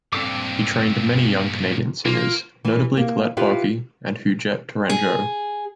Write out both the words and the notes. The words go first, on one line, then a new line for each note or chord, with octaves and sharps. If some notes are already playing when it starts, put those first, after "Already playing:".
He trained many young Canadian singers, notably Colette Boky and Huguette Tourangeau.
G2 A#2 C4 A4 D6
A#3 F4
E3
A#3
E4 F4 G4 B4
G#4